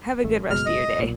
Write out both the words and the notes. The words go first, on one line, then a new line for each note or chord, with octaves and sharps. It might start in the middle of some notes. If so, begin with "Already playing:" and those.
Have a good rest of your day.
A1 A3
F#1 B2 G#3 F6
D#5
B1 A#2